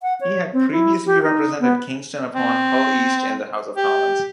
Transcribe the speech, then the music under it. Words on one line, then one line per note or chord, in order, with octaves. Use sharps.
He had previously represented Kingston upon Hull East in the House of Commons.
F#5
C#5
C4
E4
G4
D#4
B3
C4
G4